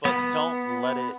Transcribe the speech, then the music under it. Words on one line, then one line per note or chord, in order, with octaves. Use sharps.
But don't let it
B3